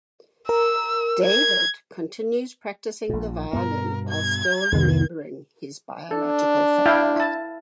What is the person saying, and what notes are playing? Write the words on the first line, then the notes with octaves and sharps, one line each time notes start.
David continues practicing the violin while still remembering his biological family.
A#4 E6
G#6
A#1 A#2
G2 B2 B3 A#4
G#6
C2 F2 C3 D#3 B3
D4 A4
E4 F5 G5
E4 A5